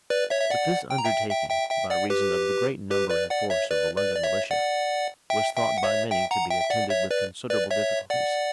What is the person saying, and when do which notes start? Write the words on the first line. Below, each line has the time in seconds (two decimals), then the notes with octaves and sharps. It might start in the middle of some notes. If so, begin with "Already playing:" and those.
But this undertaking, by reason of the great number and force of the London militia, was thought by many to be attended with considerable difficulties.
0.10 B4 D5
0.30 C#5 E5
0.41 E5
0.50 D5 F#5
0.90 G5
0.98 A#5
1.06 E5 G5
1.30 E5 G5
1.50 E5 G5
1.70 E5 G5
1.90 D5 F#5
2.10 G4 B4
2.91 G4 B4
3.10 B4 D5
3.30 D5 F#5
3.50 C#5 E5
3.71 B4 D5
3.97 B4 D5
4.15 D5
4.24 C#5 E5
4.51 D5 F#5
5.30 E5 G5
5.57 E5 G5
5.78 F#5
5.84 C#5 E5
6.11 E5 G5
6.31 F#5 A#5
6.50 E5 G5
6.61 E5
6.70 D5 F#5
6.90 C#5 E5
7.11 B4 D5
7.50 B4 D5
7.71 C#5 E5
8.10 D5 F#5